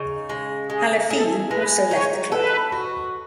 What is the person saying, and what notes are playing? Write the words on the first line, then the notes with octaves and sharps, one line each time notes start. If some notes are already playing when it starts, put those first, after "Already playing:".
Halafihi also left the club.
Already playing: C#3 D#4
G#3
G#3 G#4
G#4 A4
G#3 B4
D#4 C#5
A4 B4
F#4